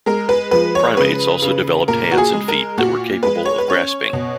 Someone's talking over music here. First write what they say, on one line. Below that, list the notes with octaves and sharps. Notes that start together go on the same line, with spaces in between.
Primates also developed hands and feet that were capable of grasping.
G#3 A#4
B4
F3 B4
C#5
C#3 B4
C#3
A#2 A#4
F#4
G#4
G#3
A#4
A#2 F#4
G#3 B4
C#5
B4
C#4 C#5
B2